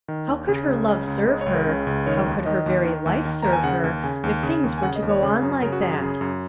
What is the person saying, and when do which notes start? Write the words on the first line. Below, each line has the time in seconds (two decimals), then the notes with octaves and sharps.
How could her love serve her,--how could her very life serve her, if things were to go on like that?
0.08 D#3
0.28 D#2
0.48 C#3
0.68 C#2
0.88 C#3
1.07 C#2
1.27 C#3 D#5
1.41 C#5
1.46 C#2
1.54 A#4
1.67 C#3 C#5
1.87 C#2
2.06 D#3 C#5
2.26 D#2
2.46 D#3 D#5
2.66 D#2
2.85 D#3
3.06 D#2
3.25 D#3
3.42 D#2 A#5
3.53 G#5
3.64 C#3 F#5
3.84 D#2
4.04 C#3 G#5
4.23 D#2
4.43 C#3
4.64 D#2
4.78 G#5
4.82 C#3 F#5
4.96 D#5
5.02 D#2
5.09 C#5
5.23 C#3
5.42 F#2
5.62 C#3 A#4
5.72 F#4
5.81 F#2 G#4
5.91 G#4
6.01 C#3 G#4
6.21 F#2